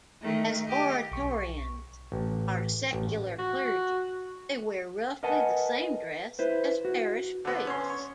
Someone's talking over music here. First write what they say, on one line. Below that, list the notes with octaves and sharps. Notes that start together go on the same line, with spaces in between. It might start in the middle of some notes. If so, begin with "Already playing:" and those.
As Oratorians are secular clergy, they wear roughly the same dress as parish priests.
D#3 A3
G4 D#5
B1 C#6
A1
A1
F#4
A#4 B4 D#5 F#5 G#5 A5
E4 B4 C5
F#4
D3 B3
C#4 C6
C#5